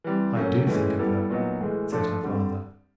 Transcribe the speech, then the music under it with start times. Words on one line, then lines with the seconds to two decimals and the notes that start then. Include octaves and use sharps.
"I do think of her," said her father.
0.04 E3 G3 C4
0.36 A2 F#3 A#3 C#4
0.67 A2 E3 G#3 C#4
0.99 G3 B3 E4 A4
1.30 A#2 F#3 B3 D#4
1.61 A2 E3 G#3
1.92 F3 A3 D4 F4 A4
2.23 D3 G3 C4